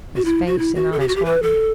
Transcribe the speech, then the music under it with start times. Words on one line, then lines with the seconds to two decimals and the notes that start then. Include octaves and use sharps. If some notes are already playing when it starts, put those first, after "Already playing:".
His face and eyes hardened.
0.16 F#4
0.25 E4
0.47 F#4
0.59 E4
0.75 F#4
0.92 A4
1.00 G4
1.08 F#4
1.15 G4
1.25 B4
1.43 A4